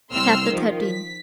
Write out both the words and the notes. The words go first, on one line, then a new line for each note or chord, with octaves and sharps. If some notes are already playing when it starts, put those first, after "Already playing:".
Chapter XIII.
C2 C4 C6 E6 F6
D#3 F3
B6